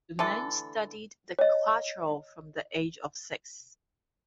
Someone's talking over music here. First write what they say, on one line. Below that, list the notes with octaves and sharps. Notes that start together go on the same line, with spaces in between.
Domenech studied the cuatro from the age of six.
D3 E3 A3 A4
C#5 D#5